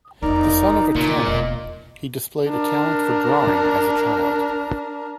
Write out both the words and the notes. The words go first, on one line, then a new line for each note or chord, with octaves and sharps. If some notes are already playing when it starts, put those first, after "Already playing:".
The son of a tanner, he displayed a talent for drawing as a child.
F1 E2 D#4 A#4 D5 A#5
D#4
A#2 C#3 E3 A3
E1 D#5
D4 A#4